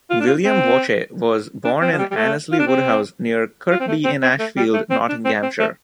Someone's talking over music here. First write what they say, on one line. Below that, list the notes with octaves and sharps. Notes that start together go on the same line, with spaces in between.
William Voce was born in Annesley Woodhouse, near Kirkby-in-Ashfield, Nottinghamshire.
F4
D4
F4
C4
D4
C4
F3
G3
G3
A3
F4
D4
C4
F4
C4
A3
C4
C4
A3
G3
A3
C4
D4
C4
C4
A3